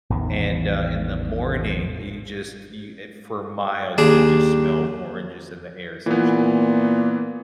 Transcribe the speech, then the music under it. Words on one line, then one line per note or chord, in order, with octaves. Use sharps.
and, uh, in the morning, you just you if for miles, just smell oranges in the air essentially,
A1 E2 D#3
D#2 D4 G#4
A#2 E3 B3